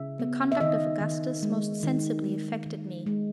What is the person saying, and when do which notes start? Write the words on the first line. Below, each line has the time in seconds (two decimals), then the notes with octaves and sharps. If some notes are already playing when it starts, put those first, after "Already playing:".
The conduct of Augustus most sensibly affected me.
Already playing: C#3 E5
0.19 B3
0.52 E5
0.60 D#3 D#5
1.01 D#3
1.43 G#3
1.83 D#3
2.24 G#3
2.66 D#3
3.06 G#3